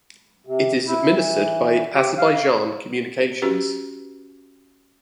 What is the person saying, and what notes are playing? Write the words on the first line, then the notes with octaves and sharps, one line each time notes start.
It is administered by Azerbaijan Communications.
C3
E4
E3
G4
F5
C#4 F#4 G4 B4